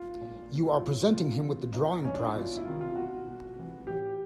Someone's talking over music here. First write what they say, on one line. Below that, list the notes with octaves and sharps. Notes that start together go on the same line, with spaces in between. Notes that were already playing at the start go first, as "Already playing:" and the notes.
You are presenting him with the drawing prize.
Already playing: F4
A#2
B2
E4
F4
A2 E3 E4
C3 E3 F4
C3 E3
A#2 D#4
A2 E3 C#4
D4
E4
B2 F4
E4
C3 D#3 F4
F4
B2 F#4
B2
C3 E3
A2 E3 G4